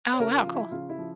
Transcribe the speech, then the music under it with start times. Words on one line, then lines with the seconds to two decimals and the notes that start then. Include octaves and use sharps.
Oh, wow, cool.
0.14 C#5
0.20 C#3 A#4
0.37 F4
0.46 F3
0.54 E4
0.71 C#3 F4
0.89 E4
0.98 F3